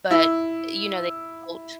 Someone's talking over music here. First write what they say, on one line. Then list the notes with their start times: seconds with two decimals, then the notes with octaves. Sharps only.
but, you know, they mulch?
0.11 E4